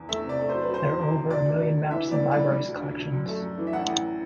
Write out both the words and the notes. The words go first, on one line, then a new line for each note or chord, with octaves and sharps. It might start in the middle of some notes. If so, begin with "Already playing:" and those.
There are over a million maps in the Library's collections.
Already playing: E2
A3 E5
C3
D5
A3
C5
F#3
B4
B2 C5
E2
E2
E2
D2 D5
D2
D2
D3
E3 E5
D2
D5
G3
D5
G3
G3
D2
D2
D2
F#2
A3
F#2
E3
E5
A1 F#5
A1